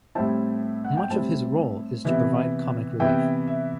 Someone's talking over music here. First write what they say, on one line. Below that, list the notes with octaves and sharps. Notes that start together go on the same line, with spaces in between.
Much of his role is to provide comic relief.
A2 G3 C4 E4 A5
F#5
G5
A2 G3 C4 E4 A5
C3 E3 B3 E4
C3 E3 B3 E4 G5
E5